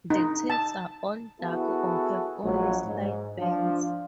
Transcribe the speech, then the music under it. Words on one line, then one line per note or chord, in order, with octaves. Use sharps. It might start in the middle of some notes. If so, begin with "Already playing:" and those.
The tails are all-dark or have only slight bands.
D#4
A5
E3 B3 E4 F#4 G#4 A4
A#1 F#3
G#2
F3 D4